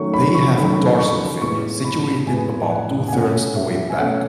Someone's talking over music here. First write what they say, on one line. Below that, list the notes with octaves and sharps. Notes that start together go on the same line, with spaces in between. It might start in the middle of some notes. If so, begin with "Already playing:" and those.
They have a dorsal fin, situated about two-thirds the way back.
Already playing: D#3 F#3 A3 C#4 C#6
B5
C#6
D#3 F#3 A3 C#4 B5
C#6
A2 G#3 B3 C#6
B5
A2 G#3 B3 G#5
F#5
G#5
B2 A3 C#4 F#5
E5
G#5
B2 A3 C#4 F#5